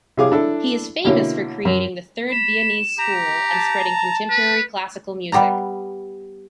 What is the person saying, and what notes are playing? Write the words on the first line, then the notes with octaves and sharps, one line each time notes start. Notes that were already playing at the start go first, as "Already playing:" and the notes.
He is famous for creating the "Third Viennese School" and spreading contemporary classical music.
C3 E4 G#4 F5 D6
D4 E4 A4
B2 D3 A#3 C#4 E4
F#2
B5 E7
G4 A#5
A5
B4
G3 B3 G4 D5 A#5